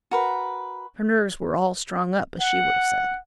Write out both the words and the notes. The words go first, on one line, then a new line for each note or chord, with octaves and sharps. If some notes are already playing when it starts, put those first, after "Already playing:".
Her nerves were "all strung up," as she would have said.
F#4 A#4 B4
F#5